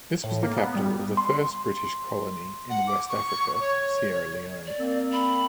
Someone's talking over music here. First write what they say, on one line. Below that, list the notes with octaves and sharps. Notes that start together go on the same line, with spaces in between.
This was the capital of the first British colony in West Africa, Sierra Leone.
A2
A#3
B3
G3
C6
F#5
D6
C#6
C#5
D5
A#3 C4
B5